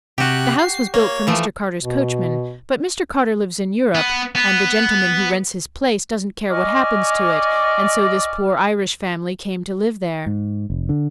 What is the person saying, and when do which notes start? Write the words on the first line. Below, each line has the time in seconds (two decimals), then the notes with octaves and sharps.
The house was built for Mr. Carter's coachman, but Mr. Carter lives in Europe, and the gentleman who rents his place doesn't care what happens to it, and so this poor Irish family came to live there.
0.18 C3 F#4 G4 F#6
0.59 C7
0.94 A#3 C#5
1.27 E3 F3 A3
1.82 B2
3.95 B3
4.35 B3
6.50 D5 D#5 G#5 C#6 D6 F6
10.26 G#2
10.70 F1
10.89 D3